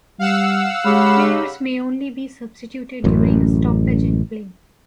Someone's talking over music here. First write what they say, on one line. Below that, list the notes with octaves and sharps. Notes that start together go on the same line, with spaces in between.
Players may only be substituted during a stoppage in play.
G3 F5 F#5 E6
C#3 G#3 G4 B5
A1 F#2